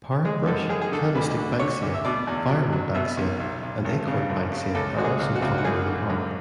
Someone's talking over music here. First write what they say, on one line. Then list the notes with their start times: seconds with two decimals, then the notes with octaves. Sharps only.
Parrotbush, candlestick banksia, firewood banksia and acorn banksia are also common in the park.
0.25 G#3 G#4
0.47 F#2 A4
0.69 F#2 G#4
0.82 G#4
0.92 D3 A4
1.15 D2 B4
1.37 D3
1.59 D3 C#5
1.82 D2
1.94 E5
2.05 B2 D5
2.27 E2
2.49 F#3
2.73 F#3
2.94 B2 E5
3.17 B1
3.40 B1
3.63 B1
3.85 G#1
4.08 C#3
4.30 F#2
4.52 C#3
4.75 C#2 A4
4.97 G#3 F#4
5.05 G#4
5.20 C#2
5.35 F#4
5.42 C#2
5.58 F#4
5.64 F#2 G#4
5.87 D3
6.10 F#2